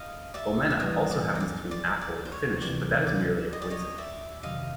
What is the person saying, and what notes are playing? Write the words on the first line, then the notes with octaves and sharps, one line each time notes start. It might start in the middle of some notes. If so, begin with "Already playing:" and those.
"Omena" also happens to mean "apple" in Finnish, but that is merely a coincidence.
Already playing: D#5 F5
D5 E5
E5
G2 E3 G3 B3 C#5 D#5
D5
D#5
D5
D5
D5
C5
C#5
C#2 C3 E3 D5
D5
D#5
D5
C#5 D#5
D5 E5
F2 C3 D#3 F#3 D#5 F5